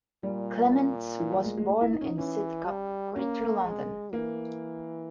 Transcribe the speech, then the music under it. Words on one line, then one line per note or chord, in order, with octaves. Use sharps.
Clements was born in Sidcup, Greater London.
A#2 G3
E3
G3
G#3
G#3
G#3
E4
D#4
C#4
D#4
E3 C#4
G3
A#3 C#4
G#3
E3 A#3